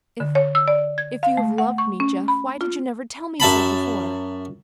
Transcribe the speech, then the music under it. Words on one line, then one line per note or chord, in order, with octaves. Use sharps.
"If--if you have loved me, Jeff, why did you never tell me so before?"
D3
C#5
E6
D5
G#6
F5
A3
F#5
C#6
C#4
B5
F4
F#2 E5 A5 B5